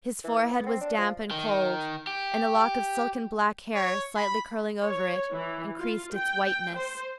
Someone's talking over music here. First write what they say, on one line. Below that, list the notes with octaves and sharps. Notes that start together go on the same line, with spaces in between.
His forehead was damp and cold, and a lock of silken black hair, slightly curling over it, increased its whiteness.
E3
E3
B3
C4
D4
F3
D#3
G4
C#5
B5
C#5
E3
F4
G5
G5
C5